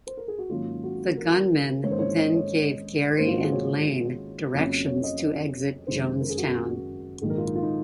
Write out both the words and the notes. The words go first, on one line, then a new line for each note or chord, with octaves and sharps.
The gunmen then gave Garry and Lane directions to exit Jonestown.
C5
A#4
G#4
F#4
G#2 D#3 F#3 A#3 C#4 F4
F#4
A#4
G#2 D#3 A#3 C#4 C#5
C5
C#5
D#5
C#5
G#2 D#3 A#3 C#4 C5
F4
F#4
G#4
C#5
F2 C#3 F#3 A#3 C#4
C#5
D#5
D#5
F#1 F#2 D#3 G#3 C5
A#4
G#4
F#4
G#4
A#1 G#2 D#3 F#3 G#4
A#4
F4
D#4
F4
D#4